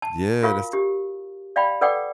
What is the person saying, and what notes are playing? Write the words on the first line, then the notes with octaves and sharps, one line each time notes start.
Yeah, that's t
A5
F4 F#4 A#4 F5 C#6
G4
D5 F5 G5 B5
A4 B4 D5 F#5 G5 D6